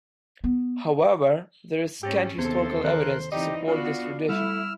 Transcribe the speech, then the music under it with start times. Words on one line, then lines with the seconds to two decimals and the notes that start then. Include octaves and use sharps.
However, there is scant historical evidence to support this tradition.
0.44 B3
2.03 G#2 C#4 G4 E6 A6 A#6
2.39 D#2 C3 B3 A4 C5 G#6 C#7
2.84 D#3 A#4 F#6
3.32 E3 C4 D#4 G4 D5 D#5
3.68 B3 D4 F4 F#4 F5
4.29 G3 A3 E4 E6 F6